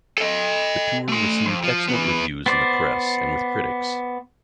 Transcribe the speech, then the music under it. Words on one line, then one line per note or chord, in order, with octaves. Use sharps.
The tour received excellent reviews in the press and with critics.
A4 D#5
A3 C6
F2
F3
E3 B3
B3 C5 D5